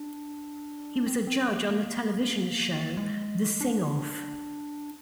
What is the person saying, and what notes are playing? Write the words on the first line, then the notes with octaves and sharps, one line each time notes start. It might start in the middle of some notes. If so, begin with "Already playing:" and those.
He was a judge on the television show "The Sing-Off".
Already playing: D4
C4
C4
A#3
A#3
G#3
D4